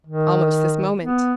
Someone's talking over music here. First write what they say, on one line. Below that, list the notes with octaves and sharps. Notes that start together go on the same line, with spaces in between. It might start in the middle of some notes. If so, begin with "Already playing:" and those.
"Almost this moment."
D#3
B3